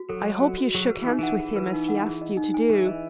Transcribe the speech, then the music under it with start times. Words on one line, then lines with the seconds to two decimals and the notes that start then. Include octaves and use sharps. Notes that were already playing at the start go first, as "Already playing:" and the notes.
"I hope you shook hands with him as he asked you to do?"
Already playing: F#4
0.09 F#3 A4
0.26 D#5
0.41 F#4
0.58 F#4
0.75 F#3 G#4
0.91 B4
0.97 E3
1.07 D#4
1.19 E3 F#5
1.40 E3 G#4
1.56 B4
1.73 D#4
1.88 F#5
2.06 G#4
2.22 D#5
2.37 D#4
2.54 G#5
2.70 E3 G#4
2.87 D#5